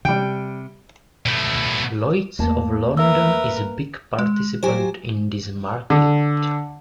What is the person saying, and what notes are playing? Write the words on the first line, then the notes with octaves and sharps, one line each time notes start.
Lloyd's of London is a big participant in this market.
C3 G3 G5
B2 A3
E2 A3 A#3 A5
A#4 B4 E5 E6
G#3
F#3 F4 G4 C5 G#5
D3